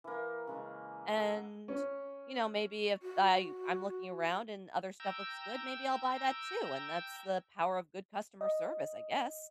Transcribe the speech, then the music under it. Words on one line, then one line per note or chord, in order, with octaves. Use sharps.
And, you know, maybe if I I'm looking around and other stuff looks good, maybe I'll buy that too and that's the power of good customer service, I guess.
E3 A#3
C#3 G#3
A4 F#5
C#4
F#4
G5 A#5 E6
D#5